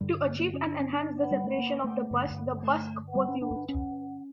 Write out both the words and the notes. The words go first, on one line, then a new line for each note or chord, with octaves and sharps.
To achieve and enhance the separation of the bust the "busk" was used.
G2 D3 G3
A#3
A#3
C#4
D4
C#4
D4
G3
A3
A#3
A3
G2 D3
A3
G3
C#4
D4
D4
C#4